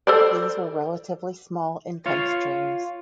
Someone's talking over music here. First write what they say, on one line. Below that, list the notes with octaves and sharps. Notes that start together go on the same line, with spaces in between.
These were relatively small income streams.
A4 C5 D5
F4 C#5 F5